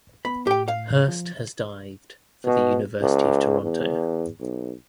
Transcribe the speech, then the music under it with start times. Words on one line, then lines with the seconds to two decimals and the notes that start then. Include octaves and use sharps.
Hirst has dived for the University of Toronto.
0.25 B3 B5
0.47 A2 G4 G5
0.68 F5
1.08 F3
2.45 B2
3.01 C#2
3.62 E2
4.40 B1